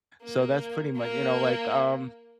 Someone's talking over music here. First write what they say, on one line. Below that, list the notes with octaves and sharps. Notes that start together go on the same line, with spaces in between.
So that's pretty mu you know, like, um,
A#3
A#3